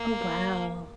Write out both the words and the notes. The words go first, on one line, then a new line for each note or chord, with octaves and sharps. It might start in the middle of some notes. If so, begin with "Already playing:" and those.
Oh, wow.
Already playing: A#3